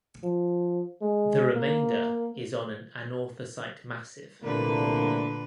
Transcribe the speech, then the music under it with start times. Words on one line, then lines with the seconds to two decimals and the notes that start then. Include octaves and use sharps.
The remainder is on an anorthosite massif.
0.24 F3
1.02 G#3
1.55 A#3
4.42 C2 A#2 D3 A3 A#3 B4